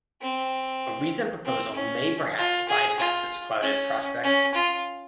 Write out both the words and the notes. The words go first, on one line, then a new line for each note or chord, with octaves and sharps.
A recent proposal may perhaps by-pass those clouded prospects.
C4
C4
C#4
F4
G#4
F4
C#4
C#4
F4